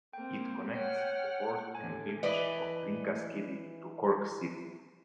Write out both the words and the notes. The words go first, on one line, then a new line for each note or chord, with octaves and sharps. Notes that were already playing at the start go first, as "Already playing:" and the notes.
It connects the port and village of Ringaskiddy to Cork city.
A#3 C4 G5
C#5 F#5 G5 F6
A2 D3 G#5
E3 B4 D5 D#5